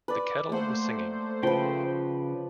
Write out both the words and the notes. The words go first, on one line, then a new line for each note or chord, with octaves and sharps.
The kettle was singing.
B4 D5
A3 A#3 C5 F#5
C#3 F3 B4 G5